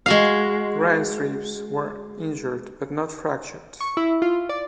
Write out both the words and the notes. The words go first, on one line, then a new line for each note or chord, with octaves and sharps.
Ryan's ribs were injured, but not fractured.
G#3 F#4 F5
C#6
E4
F4
D5